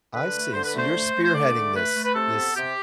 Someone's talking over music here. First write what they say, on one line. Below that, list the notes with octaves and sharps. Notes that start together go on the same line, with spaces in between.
I see. So, you're spearheading this this
D3 B4
A3
D3 C5
B4
A3 C5
A3
A3
C5
D3 D5
A3
A3 B4
A3
B4
C3 A4
B3
C3 G4